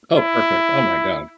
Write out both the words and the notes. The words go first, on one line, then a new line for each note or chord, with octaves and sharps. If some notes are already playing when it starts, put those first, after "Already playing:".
Oh, perfect. Oh my god.
E4